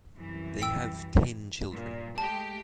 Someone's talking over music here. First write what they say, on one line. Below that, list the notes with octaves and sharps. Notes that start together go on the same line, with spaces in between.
They have ten children.
C2 F#2 E3
G5 E6
G2 A#2
G#3 A3 G4 A5